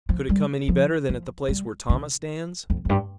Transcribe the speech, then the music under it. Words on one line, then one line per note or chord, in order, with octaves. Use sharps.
"Could it come any better than at the place where Thomas stands?"
F3
G3
F3
F3
G3
D3
F2
F2
G2